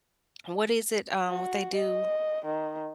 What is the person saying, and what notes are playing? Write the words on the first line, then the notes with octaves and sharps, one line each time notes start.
what is it? Um, what they do
F#4
D#5
D#3